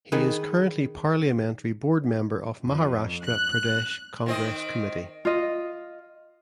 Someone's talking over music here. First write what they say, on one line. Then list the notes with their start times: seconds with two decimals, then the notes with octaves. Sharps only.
He is currently Parliamentary Board Member of Maharashtra Pradesh Congress Committee.
0.12 D#3 G#4 B4
2.64 F2
3.23 F#6
4.26 D#3 C4 D#5
5.25 F4 D#5